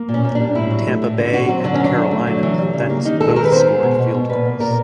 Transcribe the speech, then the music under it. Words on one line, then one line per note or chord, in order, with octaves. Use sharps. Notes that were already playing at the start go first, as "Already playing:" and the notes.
Tampa Bay and Carolina then both scored field goals.
Already playing: A#3
A#2
C#4
A#2
G3 D4
A2 E4
F#3
A3
A2
D3
D3 F#4
F#3 C4
D3 D4
C#4
F#3 D4
D3
A3
F#3
E3
G3
C#3
A#3
D#3 D#4
G#3 A4
D#3 A#4
B4
B3 C5
G#3
B2
B2
B2
A#2 B4
A#3
A#2 A#4